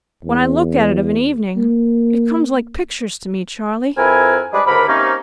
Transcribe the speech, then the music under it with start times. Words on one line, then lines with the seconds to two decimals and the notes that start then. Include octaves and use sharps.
When I look at it of an evening, it comes like pictures to me, Charley.'
0.24 E2
1.56 A#3
3.97 F2 C4 E4 A#4 B4 G#5
4.53 G3 G#3 D4 G#4 B4
4.65 D#2 G#2 D3 A#4 B4 B5
4.87 C3 A#3 C#4 D#4